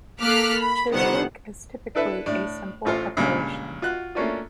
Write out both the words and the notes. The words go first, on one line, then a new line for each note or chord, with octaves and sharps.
Chislic is typically a simple preparation.
A#3 A4 D6 F6 F#6 B6
B5
G1 C3 D#3 B3 C5 F#5
D4 E4 A4 B4 E5
A2 D4
A1 A2 F4 A4 C5 F6
C#2 G2 A#2
F4 F#4 F#6
A3 A#3 C#4 D4 F4